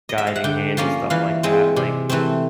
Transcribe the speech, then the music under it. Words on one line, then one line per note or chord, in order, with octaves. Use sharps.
guiding hand and stuff like that, like,
D#5
E5
F5
F#5
D3 G5
F3 A#3 C#4 F5
E3 F5
G#3 C4
C3
E3 A3 C4